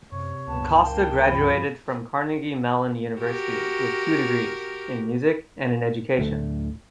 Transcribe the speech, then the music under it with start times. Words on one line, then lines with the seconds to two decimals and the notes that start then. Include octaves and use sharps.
Costa graduated from Carnegie Mellon University with two degrees, in music and in education.
0.12 F#2 C3 C#5
0.47 G1 C#2 A#2 B3 A5
0.82 F#1 A#3 G5
1.28 G2 C#3 F3 B5
3.19 F#4 G4 A#4
6.19 D1 D3 A3